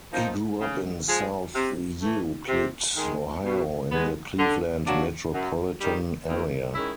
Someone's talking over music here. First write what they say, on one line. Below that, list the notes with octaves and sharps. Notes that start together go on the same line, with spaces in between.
He grew up in South Euclid, Ohio, in the Cleveland metropolitan area.
F3 A#3 D#4
C#3
F3 G#3
C3
E3 A3
C3
D#3 G#3
B2
G#3 B3
D3
F#3 A#3 D4 F#4
F#2
D#3 G3
D#2
D#3 G#3 C#4 E4